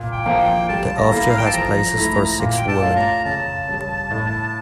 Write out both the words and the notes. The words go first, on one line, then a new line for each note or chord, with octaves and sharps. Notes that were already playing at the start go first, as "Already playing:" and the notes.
The hofje has places for six women.
Already playing: A#2
G5
F3 A#3
G5
G3 A5
A#5
A#3 E4 A4
F5
G5
A5
F3 A#5
A3 E4
A#2
G5
A5
A3 C#4 F4
A#5
C#3 A5
G3 C#4
A2